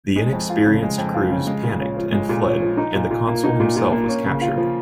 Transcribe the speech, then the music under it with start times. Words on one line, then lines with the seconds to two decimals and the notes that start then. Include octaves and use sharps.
The inexperienced crews panicked and fled and the consul himself was captured.
0.16 G#3
0.33 F2
0.49 F4
0.66 C#3
0.83 G#3
0.98 F2
1.14 F4
1.32 C#3
1.47 G#3
1.63 A#2
1.80 C#4
1.97 F3
2.12 G#3
2.29 A#2
2.46 C#4
2.62 F3
2.77 D#4
2.95 A#2
3.11 A#2
3.28 A#3
3.44 D#4
3.60 A#2
3.77 A#2
3.92 A#3
4.08 C#4
4.25 C#3
4.41 F4
4.58 F3